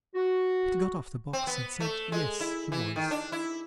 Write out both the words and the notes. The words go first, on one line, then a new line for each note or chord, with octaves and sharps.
Kit got off the box, and said yes, he was.
F#4
C4
B3
A3
G#3
E4
E3
D#3
D4
E4